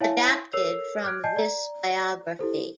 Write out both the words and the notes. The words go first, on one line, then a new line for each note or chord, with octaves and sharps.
Adapted from this biography.
E4 C#5 E5 F5 G#5 A5
A4 A#4 C#5 E6 C7 F7
D6 F6 F#6 G#6 D7
D5 D#5 G#5 A5 G6 C7
D5 A#5
E4 G4 A4 C5